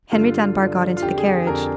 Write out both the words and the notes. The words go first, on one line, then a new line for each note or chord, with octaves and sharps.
Henry Dunbar got into the carriage.
G2 D3 F4
G2 D3
F4
F2 D3 G4
G#4
G#4
F2 D3 A#4